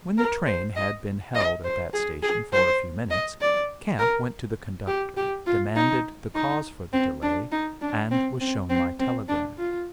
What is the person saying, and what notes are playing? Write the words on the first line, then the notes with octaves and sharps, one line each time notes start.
When the train had been held at that station for a few minutes, Camp went to the conductor, demanded the cause for the delay, and was shown my telegram.
A#4
C5
D#5
D#5
C5
G#4
G#4
C5
D#5
D5
A#4
G4
G4
F4
D#4
D#4
C4
D4
D#4
D4
C4
C4
C4
C4
D4
F4